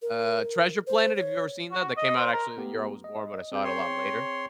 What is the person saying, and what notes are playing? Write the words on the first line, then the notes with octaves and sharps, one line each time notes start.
Uh, Treasure Planet, have you ever seen that? That came out, actually, the year I was born, but I saw it a lot later.
A#4
C5
C#5
F#4
D#5
C5
A#4
A3 B3 G4
D#5
C4 G#4 G5
C#5 C6